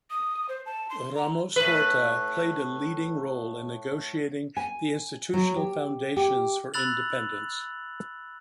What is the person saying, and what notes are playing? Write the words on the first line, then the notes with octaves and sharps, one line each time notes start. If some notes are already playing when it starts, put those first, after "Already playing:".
Ramos-Horta played a leading role in negotiating the institutional foundations for independence.
D#6
C5
A5
C6
A#5
A2 B4
G#5
F#3
G4
G4
B5 E6 F#6 A6 F7 F#7